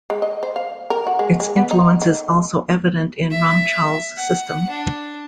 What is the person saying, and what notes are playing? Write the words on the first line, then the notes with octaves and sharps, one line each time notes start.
Its influence is also evident in Ramchal's system.
G#3
D#5
C5
F5
A#4
F#4
G#3
G#3
B3
D#4
D#3
E5
F#5
D4